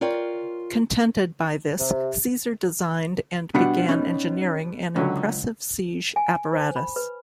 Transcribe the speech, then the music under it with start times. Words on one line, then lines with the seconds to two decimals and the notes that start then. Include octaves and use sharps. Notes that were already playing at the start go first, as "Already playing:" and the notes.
Contented by this, Caesar designed and began engineering an impressive siege apparatus.
0.01 F4 A#4 C#5 D5 G5
1.80 C3
3.55 B2 G3 B3 D4 F#5
3.89 C#4 D#4
4.96 C#2 D3 F#3 C#4
6.16 G#5
6.53 C5
6.76 B5
6.96 B4